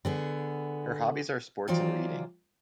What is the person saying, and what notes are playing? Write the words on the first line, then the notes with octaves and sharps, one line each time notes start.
Her hobbies are Sports and reading.
D3 B3 G#4
D#3 E3 F#3 F4 C5 D5